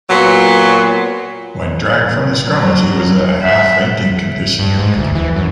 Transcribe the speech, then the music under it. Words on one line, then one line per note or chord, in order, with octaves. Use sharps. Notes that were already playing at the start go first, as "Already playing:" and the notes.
When dragged from the scrummage he was in a half-fainting condition.
A#2 F#3 B3
F#3
E5
G2
G#2
D2
E3
F#2